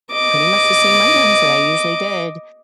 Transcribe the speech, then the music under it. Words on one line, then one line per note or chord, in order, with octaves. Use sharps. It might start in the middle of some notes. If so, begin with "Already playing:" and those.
pretty much the same items that I usually did,
D#5 D6